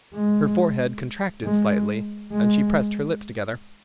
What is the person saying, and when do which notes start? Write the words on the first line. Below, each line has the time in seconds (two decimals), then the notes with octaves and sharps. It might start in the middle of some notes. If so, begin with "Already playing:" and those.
Her forehead contracted slightly and she pressed her lips together.
0.14 G#3
1.44 G#3
2.32 G#3